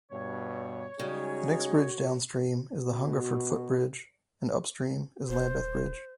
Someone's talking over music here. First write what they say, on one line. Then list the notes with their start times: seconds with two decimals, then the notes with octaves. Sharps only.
The next bridge downstream is the Hungerford footbridge and upstream is Lambeth Bridge.
0.11 G2 B2 C#5
0.99 C#3 G3 G#3 D#4 F#4 G#4
2.86 B2 F#4
5.29 D#1 C5